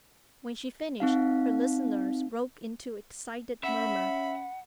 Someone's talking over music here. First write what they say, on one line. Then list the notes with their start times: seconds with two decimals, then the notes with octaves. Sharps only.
When she finished, her listeners broke into excited murmur.
1.00 C4 D#4 F5
3.64 C#4 E5 F#5 B5